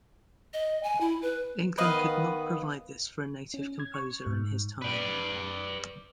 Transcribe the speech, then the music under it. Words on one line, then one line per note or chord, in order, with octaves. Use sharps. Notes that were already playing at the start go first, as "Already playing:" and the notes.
England could not provide this for a native composer in his time.
D#5
G#5
E4
B4
D#3 B3 B4 D#5 F5
C#4
G#6
C#6
G#2
B4 D5